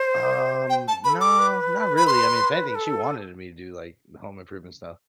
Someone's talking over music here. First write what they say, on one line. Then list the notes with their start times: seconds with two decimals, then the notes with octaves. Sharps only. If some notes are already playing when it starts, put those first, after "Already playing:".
Um, nah, not really, I mean, if anything, she wanted me to do, like, the home improvement stuff.
Already playing: C5
0.70 G5
0.88 A5
1.04 B4 B5
1.09 A4
1.21 D6
1.39 B4
1.97 B5
2.07 C6
2.75 A4